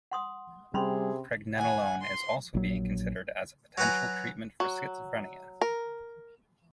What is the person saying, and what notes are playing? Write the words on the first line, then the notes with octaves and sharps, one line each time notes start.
Pregnenolone is also being considered as a potential treatment for schizophrenia.
F#5 C6 D#6
C3 G3 C#4 G#4 B5 C6
F#5 G#5
C6
A#1 F#3
F#3 F#4 B4 G#5 A#5
F#3
A#4